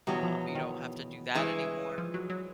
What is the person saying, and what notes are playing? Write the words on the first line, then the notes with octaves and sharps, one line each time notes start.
um, you don't have to do that anymore.
E2 B2 F#3 G3
F3
D#3
G2 E3 G#3
F3
F#3
F#3